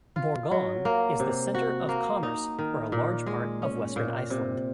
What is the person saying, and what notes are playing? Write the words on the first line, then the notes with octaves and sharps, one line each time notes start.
Borgarnes is the center of commerce for a large part of western Iceland.
F4
F#3
A#3
C3
F#4
A#3
D#4
D#3
A#2
G#3
C#4
A#2
C3